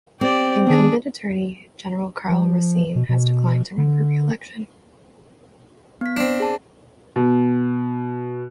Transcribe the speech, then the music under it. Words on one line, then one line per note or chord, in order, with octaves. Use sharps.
Incumbent Attorney General Karl Racine has declined to run for reelection.
C4 G4 D5
D#3 B3 D4 G#4
F3
B2
B2
D3
B3 B6
C4 D4
G#4 A5
B2